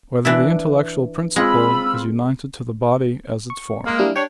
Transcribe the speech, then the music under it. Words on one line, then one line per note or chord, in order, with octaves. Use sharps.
Whether the Intellectual Principle Is United to the Body As Its Form?
E3 D4 E4
G#3 C4 F4 B5 E6
C#6
G#3 A#3
G3 D4 E4
D4 G4 C#5 G5